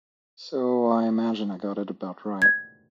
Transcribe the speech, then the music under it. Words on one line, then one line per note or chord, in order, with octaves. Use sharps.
So I imagine I got it about right.
G#6